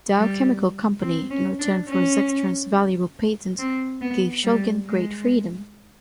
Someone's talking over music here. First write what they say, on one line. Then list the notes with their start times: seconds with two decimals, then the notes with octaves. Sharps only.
Dow Chemical Company, in return for Zectran's valuable patent, gave Shulgin great freedom.
0.17 G3
1.01 C4
1.30 C#4
1.59 D4
1.88 C#4
3.59 C4
4.01 B3
4.44 G3
4.87 G#3